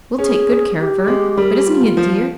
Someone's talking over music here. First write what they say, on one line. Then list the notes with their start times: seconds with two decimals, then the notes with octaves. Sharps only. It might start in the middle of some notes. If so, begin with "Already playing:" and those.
We'll take good care of her. But isn't he a dear?
0.18 C#4 G#4
0.79 G4
1.08 G#3
1.37 G3 A#4
1.50 G#4
1.58 G4
1.66 F4
1.97 F3